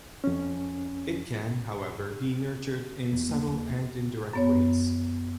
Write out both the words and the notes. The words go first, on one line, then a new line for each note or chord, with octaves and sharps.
It can, however, be nurtured in subtle and indirect ways.
F2 C#4
E2
A#3
D#2
E4
F#2 B3 C#5